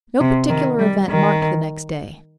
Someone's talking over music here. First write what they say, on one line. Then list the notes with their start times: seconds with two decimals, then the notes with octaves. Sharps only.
No particular event marked the next day.
0.20 C3
0.49 D#3
0.79 G3
1.09 D#3